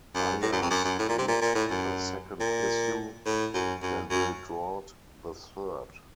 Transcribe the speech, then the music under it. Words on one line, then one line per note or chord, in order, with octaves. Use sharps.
Ayers inked the second issue, then Bill Draut the third.
F#2
A2
F#2
F2
F#2
F#2
A2
A#2
C3
A#2
A#2
A2
F#2
A#2
A2
F#2
F#2
F#2